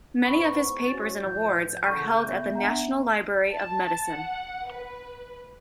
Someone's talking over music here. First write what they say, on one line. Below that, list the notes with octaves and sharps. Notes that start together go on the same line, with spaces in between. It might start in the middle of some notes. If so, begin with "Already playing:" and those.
Many of his papers and awards are held at the National Library of Medicine.
G#2 B3 E4 B4 C5 B5 C#6
C#4 F#4 A6
A2 E3 F3 E4 G6
A#2 C#3 A4 F#5 C#6 D#7
B3 E5
D4 F#5 G#5 A#5
A5
F#5
B4